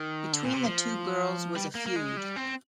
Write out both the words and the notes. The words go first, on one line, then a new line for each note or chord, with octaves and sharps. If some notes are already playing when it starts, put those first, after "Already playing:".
Between the two girls was a feud.
Already playing: D#3
D3
A#2
C3
F3
G3
A#3
A#3
G#3
G3
C4